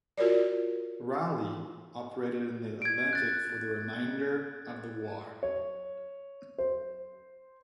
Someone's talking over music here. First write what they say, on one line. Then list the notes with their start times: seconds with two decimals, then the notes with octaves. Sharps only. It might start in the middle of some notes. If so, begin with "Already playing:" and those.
"Raleigh" operated in the Atlantic for the remainder of the war.
0.18 F4 F#4 A#4 C#5 D5
2.82 G#6 D7
3.13 F#6 A6
5.43 C#5
6.58 C5